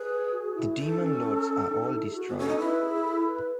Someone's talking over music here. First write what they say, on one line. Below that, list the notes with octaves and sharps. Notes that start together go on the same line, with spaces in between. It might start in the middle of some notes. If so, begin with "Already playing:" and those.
The Demon Lords are all destroyed.
Already playing: G#4 B4
F#4
E4
A4
D#4
C#4
D#4
E4
G#4
F#4
B3
C#4 A4
D#4
E4 B4
G#4
A4
B4